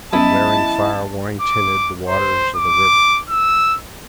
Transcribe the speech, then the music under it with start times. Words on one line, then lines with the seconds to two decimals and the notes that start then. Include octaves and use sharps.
A glaring fire wine-tinted the waters of the river.
0.13 F#3 B3 C#4 E4 D#5 G#5 A5
1.41 D6
2.09 C5
2.57 D6
3.29 E6